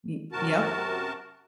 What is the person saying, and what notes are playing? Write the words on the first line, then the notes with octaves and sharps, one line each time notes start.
Y yep.
F#2 C3 F#4 A#4 A5